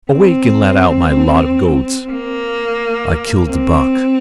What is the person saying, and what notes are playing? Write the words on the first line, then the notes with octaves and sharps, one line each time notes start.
Awake and let out my lot of goats.' I killed the buck.
C4
A#3
C4